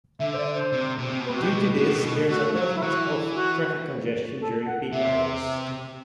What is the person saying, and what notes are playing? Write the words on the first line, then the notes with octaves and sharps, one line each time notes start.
Due to this there is a lot of traffic congestion during peak hours.
D3 E5
C5
D5
C5
C3
B2
C3
B2
B4
C3 F#4
B2 G4
G4
A2 F#4
B2
B2
A3 F#4
F#3
E4
E3 F#4
F#4
A4
F#5
C3 E5